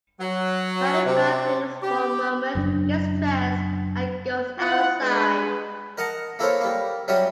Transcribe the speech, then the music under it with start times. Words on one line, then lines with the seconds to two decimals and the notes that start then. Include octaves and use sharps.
Charlie Brown thinks for a moment, gets dressed, and goes outside.
0.20 F#3
1.06 C3
1.83 G4
2.55 F#1 F#2 C#3 D4
4.59 E4 F4 F#5
5.01 G#3 D4 B4
5.98 A#4 D#5 F#5 A5 A#5
6.39 A#3 E4 A4 A#4 C5 C#5
6.61 G3 A#3
7.08 F#3 G3 C#4 E5 G#5